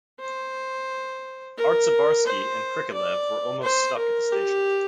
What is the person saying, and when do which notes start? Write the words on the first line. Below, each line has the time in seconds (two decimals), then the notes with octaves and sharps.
Artsebarsky and Krikalev were almost stuck at the station.
0.20 C5
1.57 A#4
2.26 C5
2.94 D5
3.63 C5
3.98 A#4
4.32 G4